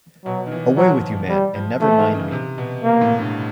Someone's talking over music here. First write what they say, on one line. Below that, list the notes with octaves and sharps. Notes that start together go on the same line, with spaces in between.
Away with you, man, and never mind me.
B2 F#3
D#3
E3
F3 F#3
G3
F3
E3 A3
D#3
C#3
C3
B2
A#3
A2
G2